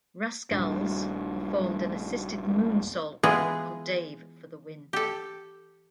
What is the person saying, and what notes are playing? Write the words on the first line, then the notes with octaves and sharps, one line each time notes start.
Rascalz performed an assisted moonsault on Dave for the win.
D#1 G2
E3 G#3 B3 F4 G#4 B4
G4 A4